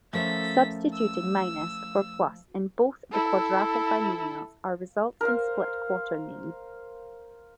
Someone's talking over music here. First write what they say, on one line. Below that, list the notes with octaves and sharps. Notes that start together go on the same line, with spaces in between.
Substituting minus for plus in "both" the quadratic binomials also results in split-quaternions.
F3 A3 C#4 A4 A#4 C5 E5 B6
E6
E4 A4
A#4 C5 F5